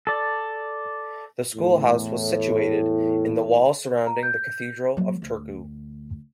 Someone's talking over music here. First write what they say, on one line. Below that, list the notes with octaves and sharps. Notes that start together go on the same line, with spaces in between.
The schoolhouse was situated in the wall surrounding the Cathedral of Turku.
A4 D5
E2 A2
A#5
G6
F#3 A#3
D2